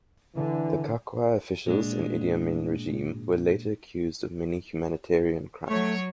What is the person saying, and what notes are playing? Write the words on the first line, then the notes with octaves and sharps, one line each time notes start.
The Kakwa officials in Idi Amin regime were later accused of many humanitarian crimes.
D3 E3
A#2 G#3 D4
F#3 A3 C#5